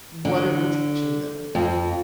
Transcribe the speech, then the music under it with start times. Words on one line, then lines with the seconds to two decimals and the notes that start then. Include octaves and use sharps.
"What are we teaching them?"
0.25 D3
1.55 F2